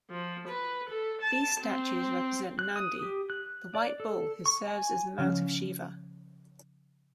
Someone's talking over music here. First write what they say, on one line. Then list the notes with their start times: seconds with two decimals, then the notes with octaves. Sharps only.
These statues represent Nandi, the white bull who serves as the mount of Shiva.
0.11 F3
0.47 B4
0.89 A4
1.22 A5
1.61 C4
2.59 F#6
2.76 D#6
3.03 G4
3.30 F#6
3.75 D5
4.00 A4
4.46 C#6
4.67 G#5
5.18 C#3 F3 C#4